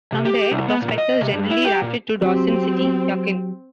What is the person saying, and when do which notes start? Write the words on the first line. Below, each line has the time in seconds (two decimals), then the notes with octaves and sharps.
From there, prospectors generally rafted to Dawson City, Yukon.
0.12 C3
0.25 G4
0.51 C2
0.68 B3
0.82 A#2
0.98 D#5
1.21 C3
1.33 G2
1.51 E4
1.65 G4
1.82 A#2
2.22 F#3 C4 G4